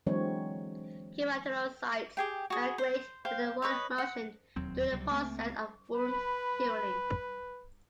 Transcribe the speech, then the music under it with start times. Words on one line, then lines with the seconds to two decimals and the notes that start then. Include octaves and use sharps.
Keratinocytes migrate with a rolling motion during the process of wound healing.
0.07 D3 E3 F#3 G#3 C4 C#5
2.17 G4 G#4 G5
2.50 F#4 G#4
2.78 C5
3.25 C5 F5 G5
3.62 B4 C#5 D#5
3.98 F#5
4.56 E1 D#2 F#3 C4
4.92 C#2 C3 F#3 G3
5.11 C#2 A3 A#3 C4
5.95 B4 B5